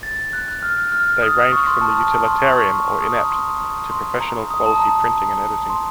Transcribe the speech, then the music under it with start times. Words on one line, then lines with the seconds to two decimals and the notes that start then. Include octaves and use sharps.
They ranged from the utilitarian or inept to professional-quality printing and editing.
0.03 A6
0.33 F#6
0.48 F#6
0.63 F6
0.92 F6
1.22 D#6
1.53 C#6
1.67 C6
1.81 A5
1.99 A5
2.12 A#5
2.27 C6
2.42 C#6
2.56 C#6
2.72 C6
2.86 C#6
3.02 D#6
3.16 A#5
3.31 C6
3.91 C6
4.21 A#5
4.51 D#6
4.66 A5
4.80 A#5
5.70 C6